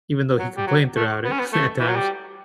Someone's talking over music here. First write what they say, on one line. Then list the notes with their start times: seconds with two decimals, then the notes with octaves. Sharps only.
even though he complained throughout it at times,
0.39 F#3
0.56 G3
0.67 F#3
0.96 A3
1.24 B3
1.32 C#4
1.39 B3
1.53 A3
1.79 E3
1.88 F#3
1.96 G3